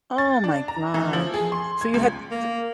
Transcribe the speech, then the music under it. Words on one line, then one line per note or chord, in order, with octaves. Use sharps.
Oh, my gosh. So you had s
A6
D4
A#5
E3
F3
G#4
C6
G#6
C#2
A#3